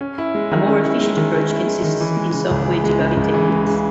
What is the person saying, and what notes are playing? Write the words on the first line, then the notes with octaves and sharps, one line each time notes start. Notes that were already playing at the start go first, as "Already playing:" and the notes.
A more efficient approach consists in software debugger technique.
C#4
E4
G#3
D#3
C#4
E4
G#3
D#3
C#4
E4
G#3
D#3
E3
G#3
C#3
C#2
E3
G#3
C#3
C#2
E3
G#3
C#3